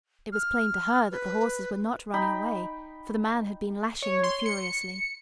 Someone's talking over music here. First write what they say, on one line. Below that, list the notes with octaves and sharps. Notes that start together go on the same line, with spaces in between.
It was plain to her that the horses were not running away, for the man had been lashing them furiously.
F6
B4
D#4 G5 B5
C#5
C6
C#7